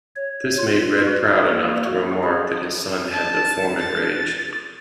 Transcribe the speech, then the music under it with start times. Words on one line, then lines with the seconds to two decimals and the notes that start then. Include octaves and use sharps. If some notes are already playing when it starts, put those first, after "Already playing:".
This made Red proud enough to remark that his son had the Forman Rage.
0.16 C#5
0.59 F4
1.07 F#4
1.49 A#3
1.86 F#4
2.23 G#4
3.11 A5
3.79 A6